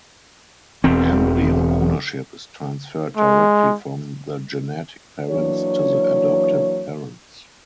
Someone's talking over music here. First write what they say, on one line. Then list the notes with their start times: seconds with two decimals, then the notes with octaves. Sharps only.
Embryo ownership is transferred directly from the genetic parents to the adoptive parents.
0.84 E1 E2 C4
3.17 G#3
5.31 E3 F#3 A#3 D4 C#5